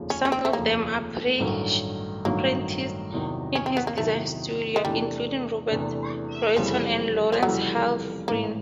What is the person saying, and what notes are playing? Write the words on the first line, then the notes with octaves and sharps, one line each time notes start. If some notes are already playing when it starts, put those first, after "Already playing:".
Some of them apprenticed in his design studio, including Robert Royston and Lawrence Halprin.
Already playing: F1 D#2 C#3 F3
C#4
C#4
C4
A3
F1 D#2 C#3 F3 A#3
A1 G2 D#3 F#3 A3
A1 G2 D#3 F#3 A3 A#3
E2 C3 D#3 F#3
C#4
C4
B3
A#3
E2 C3 D#3 F#3 A3
G#3
E2 C3 E3 G3 A3 D4
E2 C3 E3 A3 D4
F1 F2 C#3 E3 F3 G3
F3
F1 F2 C#3 E3 F#3 G3
A1 G#2 E3 A#3